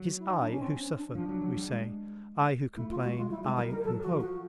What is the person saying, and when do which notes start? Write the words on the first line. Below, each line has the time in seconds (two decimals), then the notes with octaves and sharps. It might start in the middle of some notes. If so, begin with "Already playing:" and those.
It is I who suffer, we say, I who complain, I who hope.
Already playing: F#3
0.19 E4
0.30 D#4
0.40 D4
0.51 C#4
0.61 C4
0.79 C#4
0.97 D4
1.15 F3 D4
1.29 F#3
1.42 F#3
1.56 G3
1.69 G#3
2.76 A3 E4
2.90 F4
3.04 G#3 F#4
3.17 G#3 F4
3.31 G3 E4
3.44 G#3 E4
3.58 G3 A#4
3.71 G3 A#4
3.84 F#3 A4
4.03 F#4
4.11 F3
4.20 F#4